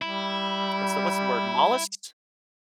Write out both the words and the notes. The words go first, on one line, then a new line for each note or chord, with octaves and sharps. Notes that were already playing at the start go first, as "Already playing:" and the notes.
what's the what's the word- mollusks?
G3 E4